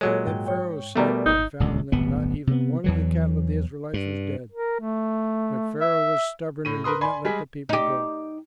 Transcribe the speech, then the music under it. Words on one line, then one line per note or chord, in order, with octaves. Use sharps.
Then Pharaoh sent and found that not even one of the cattle of the Israelites was dead; but Pharaoh was stubborn and would not let the people go.
A#2 F#3 G#3 A4 C#5
G#2 G5
C#5 G5
B2 G3 A3 B3 A#4 D5
G#1 D#4
D#1 C#2
D1 G1 B3
C3 B3
E2 E3 F#3
G2
A#4
A3
E5
A2 D#7
A#4 B4 C6 D#6
D5 G#5 B5 C6
G3 G#3 G#4 B6
D#4 G4